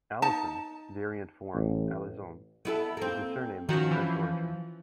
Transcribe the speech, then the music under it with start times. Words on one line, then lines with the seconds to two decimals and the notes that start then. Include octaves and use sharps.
Alison, variant form Alizon, is a surname of French origin.
0.22 D#4 A5
1.54 A1
2.65 B3 E4 A4
2.97 A#3 C4
3.69 D#3 F3 C#4 F#4
3.91 E3